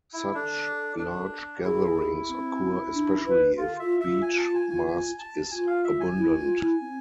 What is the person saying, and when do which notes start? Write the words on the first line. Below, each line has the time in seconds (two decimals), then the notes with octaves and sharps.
Such large gatherings occur especially if beech mast is abundant.
0.13 E4
0.35 D4 A4
0.99 D4
1.64 E4 G#4
2.29 C4
2.94 D4
3.26 B4
3.57 F4 A4
3.79 F4 E5
4.01 F4 E5
4.22 G#5
4.39 A5
4.55 G#5
4.70 G#5
4.87 G#5
5.19 A5
5.51 F4 G#5
5.67 F5
5.84 E5
6.00 G#5
6.16 E4
6.38 F4
6.59 E4
6.81 C4